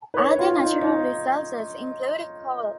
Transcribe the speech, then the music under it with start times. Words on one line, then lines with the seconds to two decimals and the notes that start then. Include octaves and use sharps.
Other natural resources include coal.
0.14 B4
0.18 C#5
0.39 F4
0.60 D#4
0.81 D#4